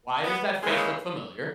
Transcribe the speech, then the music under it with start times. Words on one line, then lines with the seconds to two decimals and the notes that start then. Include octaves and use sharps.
"Why does that face look familiar?"
0.24 B3
0.62 D#2 C#3 E3 G3 G#3